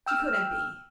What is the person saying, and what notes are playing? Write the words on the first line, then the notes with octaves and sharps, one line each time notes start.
She couldn't be.
G5 E6 F6